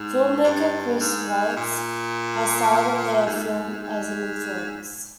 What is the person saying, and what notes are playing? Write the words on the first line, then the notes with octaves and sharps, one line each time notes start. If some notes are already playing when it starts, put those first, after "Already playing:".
Filmmaker Chris Weitz has cited the film as an influence.
Already playing: G#2
G2
G#2
A#2
G#2
G#2